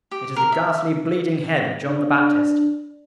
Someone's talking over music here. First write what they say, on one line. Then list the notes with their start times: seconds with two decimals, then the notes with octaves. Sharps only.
It is the ghastly, bleeding head of John the Baptist!
0.11 G4
0.36 A#4
0.52 E5
1.87 D4